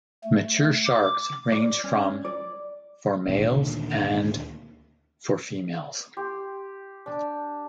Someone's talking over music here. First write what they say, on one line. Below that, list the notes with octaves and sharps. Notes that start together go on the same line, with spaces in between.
Mature sharks range from for males and for females.
A3
D6
D5
C#4
D5
D2 A#2 D3 D#3
G4 C6
D4